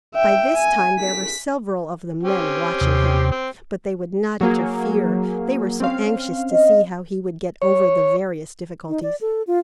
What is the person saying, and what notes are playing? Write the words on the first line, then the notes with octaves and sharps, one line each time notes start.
By this time there were several of the men watching him, but they would not interfere, they were so anxious to see how he would get over the various difficulties.
E5 G5
G#5
B6
C4 C#4 G4
D#2 C3
C4
F#3 A#3 G#4
C4 C#4 F5
D#5
C#5
D#4
D5
A4
F4